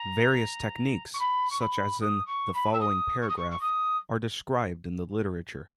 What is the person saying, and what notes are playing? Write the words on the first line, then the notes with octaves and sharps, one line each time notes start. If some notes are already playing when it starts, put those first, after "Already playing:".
Various techniques, such as in the following paragraph, are described in the literature.
Already playing: A#5
C#6
B5
C#6
B5
D#6
C#6
B5
E6
D#6
C#6
D#6
C#6
C#6
D#6